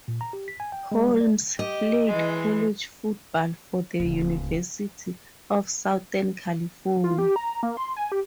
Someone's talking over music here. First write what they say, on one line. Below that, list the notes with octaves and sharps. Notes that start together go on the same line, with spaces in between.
Holmes played college football for the University of Southern California.
A#2
A#5
G4
B6
G#5
G5
G#3
G3
D5
G4 D#5
E3 G#3
D1 C#2
F4
G4
A#5
A#3
C6
G#5
G4